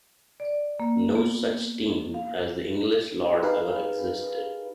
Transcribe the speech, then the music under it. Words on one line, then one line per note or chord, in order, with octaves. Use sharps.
No such team as the English Lords ever existed.
D5
A#3
B3
F5
D#4 G4 G#4 A#4 B4 F5